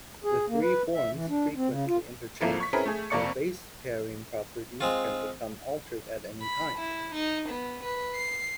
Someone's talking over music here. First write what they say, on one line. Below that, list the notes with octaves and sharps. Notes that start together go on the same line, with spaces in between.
The three forms frequently interchange so base-pairing properties can become altered at any time.
G#4
A#3
B4
E5
E3
D4
C4
C#3
F4
G#1 F3 A#3 E4 A4
C#6 B6
C4 C#4 E4 G#4 A#4 B4
A3 G#4
F2 C3 A#3 D5 C#6 C#7
G#3 C4 F4
B5
E4
D#4
B3
B4
C7